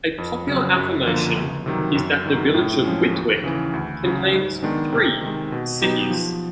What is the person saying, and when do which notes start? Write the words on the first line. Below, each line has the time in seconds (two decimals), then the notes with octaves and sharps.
A popular affirmation is that the village of Whitwick contains three 'cities'.
0.18 F2
0.47 C#3 F#3
0.76 F#2
1.06 D3 F3 A#3 D4
1.36 C#2
1.66 C3 D#3 F#3
1.95 F#2
2.26 D#3 F#3
2.54 A2
2.84 F3 G#3 C#4
3.15 D#2
3.44 C#3 E3
3.73 D2
4.04 C#3 F#3
4.34 G#2
4.63 D#3 G#3 B3 D4
4.92 C3
5.21 D#3
5.26 G#3
5.52 B2
5.82 F#3 B3 D#4 G4
6.10 F3